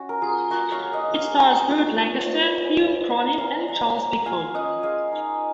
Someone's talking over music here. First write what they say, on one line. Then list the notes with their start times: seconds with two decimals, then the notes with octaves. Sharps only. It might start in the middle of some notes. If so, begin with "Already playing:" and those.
It stars Burt Lancaster, Hume Cronyn and Charles Bickford.
Already playing: C#4 F#4
0.09 A#4
0.21 F#3 F4 G#4
0.50 A#3 F#4
0.72 C#5 F5
0.80 A#3
0.93 D#5 F#5
1.08 A#3
1.15 F5 G#5
1.37 F3 F#5 A#5
1.66 F4
1.94 F3
2.24 F4
2.53 G#3
2.81 G#3
3.10 C4 F#5 A#5
3.39 C4 F5 G#5
3.68 F#3 F#5 A#5
3.97 A#3 F#5 A#5
4.25 F4 F5 G#5
4.54 C#4 D#5 F#5
4.83 G#3 F5 G#5
5.12 D#4